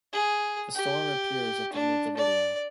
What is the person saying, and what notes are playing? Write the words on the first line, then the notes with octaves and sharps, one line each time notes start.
A storm appears at the end of the video.
G#4
G4
D4
D5